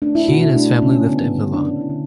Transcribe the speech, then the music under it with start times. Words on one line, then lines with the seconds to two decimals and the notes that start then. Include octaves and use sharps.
He and his family lived in Milan.
0.02 A3 D4
0.15 E4
0.28 B2 F#4
0.42 E4
0.55 A3 D4
0.82 C#3 C#4
1.09 D3 B3
1.36 D3
1.53 D4
1.62 D3 C#4
1.81 E4
1.90 D3